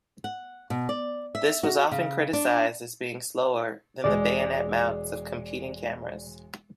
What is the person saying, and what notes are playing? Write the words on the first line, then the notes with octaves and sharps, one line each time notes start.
This was often criticized as being slower than the bayonet mounts of competing cameras.
F#5
B2
D5
E5
F#4
C#3
D4
E1 G#3 D5